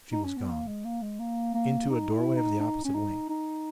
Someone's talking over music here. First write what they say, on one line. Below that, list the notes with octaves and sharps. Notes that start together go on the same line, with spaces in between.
She was gone, into a doorway of the opposite wing.
D#4
C#4
B3
A#3
G#3
A#3
G#3
A#3
A#3
D#4
E4
D#4
D#4
C#4
D#4
D#4